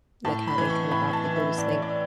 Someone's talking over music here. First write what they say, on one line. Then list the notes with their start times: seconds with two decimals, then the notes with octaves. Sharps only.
like, how they come about, people just think
0.25 A2 A5
0.48 B5
0.58 E3
0.70 C#6
0.91 A2 B5
1.13 A5
1.25 E3
1.36 E5
1.58 A2 D5
1.71 C#5
1.82 D5